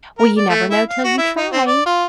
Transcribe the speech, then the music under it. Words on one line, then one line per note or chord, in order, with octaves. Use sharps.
"Well, you never know till you try."
A#4
D5
A3
E4
F5
F#4
E4
D#4
C4
D5
F4